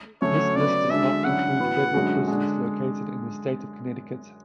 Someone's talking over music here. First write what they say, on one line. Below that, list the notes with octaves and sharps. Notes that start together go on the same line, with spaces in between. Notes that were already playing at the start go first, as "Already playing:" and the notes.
This list does not include federal prisons located in the state of Connecticut.
D2 D3 F#3 A3 C#4 C#5
C#3 F#3 B3 D5
D3 G#3 D4 F#4 E5
D3 F#3 C#4 E4 F#5
A2 E3 B3 F#4
F#2 D3 G#3 C#4 F#4
D3 G#3 D4